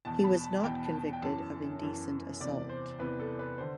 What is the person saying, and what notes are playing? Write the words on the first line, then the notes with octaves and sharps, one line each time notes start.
He was not convicted of indecent assault.
E2 B2 A5
A5
B5
A5
E2 B2 G5
A5
G5
F#2 E3 A5
F#2 E3
E2 C3 E3 D5
C5
E2 C3 E3 B4
A4
B4
D3 C5